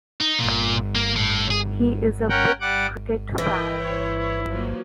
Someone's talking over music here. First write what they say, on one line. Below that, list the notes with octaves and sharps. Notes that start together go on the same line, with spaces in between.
He is a big cricket fan.
D#4
A#2
A#3
A2
G#4
C#4 A#4 F#5 G5
G3 F#5 D6
E3 E4 A#4 D#5 G5
C5 C#5
C#5
F3 F#3 A#3